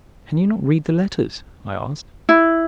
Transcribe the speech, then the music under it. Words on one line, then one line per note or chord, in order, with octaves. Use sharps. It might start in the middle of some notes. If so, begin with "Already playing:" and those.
"Can you not read the letters?" I asked.
E4